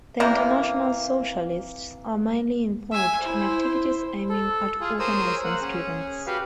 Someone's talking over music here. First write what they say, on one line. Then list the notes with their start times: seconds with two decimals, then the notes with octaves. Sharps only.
The International Socialists are mainly involved in activities aiming at organising students.
0.20 C3 E3 A#3
2.91 E5 G#5
3.22 E4 C5
4.29 A4
4.80 F4 G#4
4.99 G#4 A#4 C5 C#5 D#6 E6
5.44 A#3 F#5
5.61 C#4 G#4
6.26 F#4 G4 B4 F5